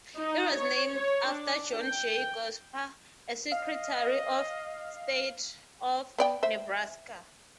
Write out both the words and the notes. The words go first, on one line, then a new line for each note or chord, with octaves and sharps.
It was named after John J. Gosper, a Secretary of State of Nebraska.
D#4
C#5
C#5
D4
G5
D#5 F5
B3 D5 G5
C5 E5